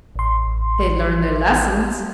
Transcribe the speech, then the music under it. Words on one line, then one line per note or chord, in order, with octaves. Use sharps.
"They learn their lessons."
A1 C6